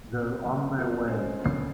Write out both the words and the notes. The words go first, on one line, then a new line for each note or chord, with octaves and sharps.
They're on their way.
C4
F#1
F2 F3 F#3 A#3 C4
G#3 C#4 C5 D#5
D2 C4 C#4 C7